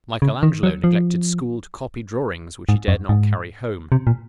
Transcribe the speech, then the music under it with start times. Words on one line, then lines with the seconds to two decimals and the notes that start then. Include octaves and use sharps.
Michael Angelo neglected school to copy drawings which he dared not carry home.
0.22 C#3
0.43 D#3
0.63 F#3
0.84 F3
2.69 G#2
2.88 F#2
3.09 G#2
3.92 C3
4.07 A#2